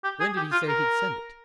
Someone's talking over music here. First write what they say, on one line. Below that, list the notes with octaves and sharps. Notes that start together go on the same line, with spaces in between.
"When did he say he'd send it?"
G4
G#4
G4
F4
A#4